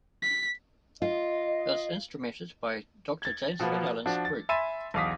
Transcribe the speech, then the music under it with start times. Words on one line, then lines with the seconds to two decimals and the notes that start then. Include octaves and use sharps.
It was instrumented by Doctor James van Allen's group.
0.22 B6
1.02 F4 D#5
3.22 G#6 A6
3.59 B2 F3 A#3 B3
4.06 F3 D4 F#4
4.25 A6
4.49 E5 G#5 B5 C6 A6 D#7
4.94 B1 E2 F5 D6 D#6 B6